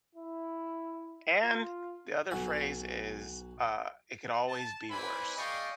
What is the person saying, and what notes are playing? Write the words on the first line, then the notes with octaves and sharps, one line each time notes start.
And the other phrase is, uh, "It can always be worse."
E4
F4
B1 F#4 G#5
A5
C4 E4 B4 D5 G#5 B5
G#4 D5 D#5 F5 G5 C#6